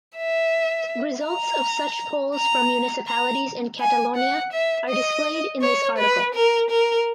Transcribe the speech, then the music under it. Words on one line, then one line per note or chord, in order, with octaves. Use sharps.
Results of such polls for municipalities in Catalonia are displayed in this article.
E5
A#5
A#5
A#5
G#5
F#5
E5
D#5
C#5
B4
A#4
A#4